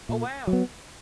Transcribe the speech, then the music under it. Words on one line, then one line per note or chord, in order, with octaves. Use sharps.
Oh wow.
A#2
F#3
B3